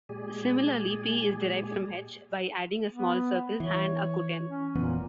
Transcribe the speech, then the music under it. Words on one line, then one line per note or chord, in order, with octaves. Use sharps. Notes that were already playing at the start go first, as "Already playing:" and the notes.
Similarly, "p" is derived from "h" by adding a small circle, "handakuten".
A#2 G#3 G4 G#4 D5 G#5
B3
E3 C#5
C#4
F1 A#2 E3 B3